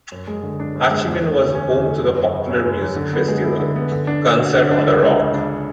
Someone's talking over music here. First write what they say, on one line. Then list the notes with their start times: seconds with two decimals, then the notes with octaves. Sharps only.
Hachimen was home to the popular music festival, Concert on the Rock.
0.12 F#2
0.28 G#3
0.43 D3
0.60 D4
0.75 F#2
0.91 G#3
1.07 E2
1.22 A3
1.39 D3
1.55 C#4
1.70 E2
1.86 A3
2.02 F#2
2.18 F#3
2.33 C#3
2.50 C#4
2.66 F#2
2.81 F#3
2.96 D3
3.13 B3
3.28 G#3
3.44 E4
3.60 D3
3.76 B3
3.92 D3
4.07 D4
4.23 A3
4.40 F#4
4.55 D3
4.71 D4
4.87 C#2
5.03 G#3
5.18 C#3
5.34 D4